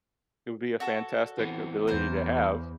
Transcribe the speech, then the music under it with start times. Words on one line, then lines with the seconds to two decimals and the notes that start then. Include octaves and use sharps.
It would be a fantastic ability to have.
0.80 F#4 A4
1.38 E3 B3 C4
1.87 E2 C5 A#5